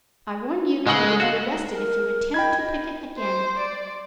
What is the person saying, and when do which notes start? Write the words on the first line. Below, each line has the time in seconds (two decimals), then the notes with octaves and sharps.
"I warn you, you will be arrested if you attempt to picket again."
0.87 G#2 C#3 G#3 B4 D#5 F#5 E6
1.20 F#4 A4 F5 F#5
1.72 A#4
2.34 D#5 G5 B5 G#6
3.19 C5
3.59 D5